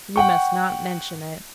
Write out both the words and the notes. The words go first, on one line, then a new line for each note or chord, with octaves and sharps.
You must not mention it.
F#5 G5 C#6